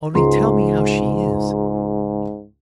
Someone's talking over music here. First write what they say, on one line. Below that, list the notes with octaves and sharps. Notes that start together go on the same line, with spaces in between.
Only tell me how she is.
C#2 G#2 F4 G#4 A#5 C6